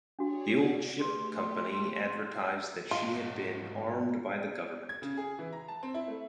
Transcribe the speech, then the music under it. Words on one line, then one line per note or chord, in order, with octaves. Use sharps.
The Old Ship Company advertised that she had been armed by the government.
D4 F#4 G#4 C#5 D5
A3 G4 G#4 B4 C6
G#2 F#3 F4 D#5
G#6
C#3
G#4
E3
A#5
A5
C4
E4
A3